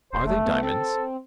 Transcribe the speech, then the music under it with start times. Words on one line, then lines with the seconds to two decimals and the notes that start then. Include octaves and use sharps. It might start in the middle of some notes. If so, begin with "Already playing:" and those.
"Are they diamonds?"
0.13 D#1 C5
0.25 F1 A3
0.46 B3
0.63 C4 A4